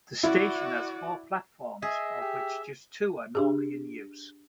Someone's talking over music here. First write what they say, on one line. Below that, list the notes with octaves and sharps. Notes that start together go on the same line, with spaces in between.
The station has four platforms, of which just two are normally in use.
E4 F#4 D5
G#4 D#5 E5
G4
D4 G4 G#4